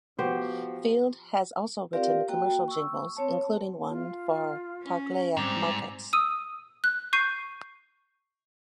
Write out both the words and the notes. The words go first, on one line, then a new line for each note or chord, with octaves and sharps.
Field has also written commercial jingles, including one for Parklea Markets.
F3 B3 F#4 G4 C5
C4 F4 G4 A#4 D5 F5
A#3 F#4 G5
C#6 E6
C4 C#5 A5
F4
C#4
G#2 G3 C4 D6
D#6 E6 D#7
F#6
C#6 G6 C7 D#7